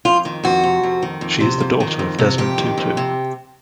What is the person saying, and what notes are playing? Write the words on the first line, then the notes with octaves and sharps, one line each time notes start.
She is the daughter of Desmond Tutu.
F2 F4
D#3
F2 F#4
C3
F2
D#3
F2
C3
F2
D#3
F2
C3
F2 G4
D#3
F2
C3